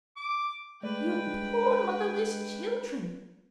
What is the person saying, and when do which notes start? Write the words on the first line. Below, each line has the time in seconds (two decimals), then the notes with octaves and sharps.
'You poor motherless children!
0.17 D6
0.83 G#3 A3 B4 D5 G5
1.27 G3 D4